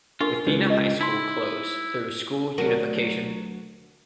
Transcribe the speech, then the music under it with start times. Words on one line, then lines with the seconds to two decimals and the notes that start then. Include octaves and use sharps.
Wathena High School closed through school unification.
0.21 D4 F4 A#4 C#6
0.47 C#2 B4
0.67 D#5 C#6
1.01 D#4 E4 C6
2.58 D2 F#3 A#4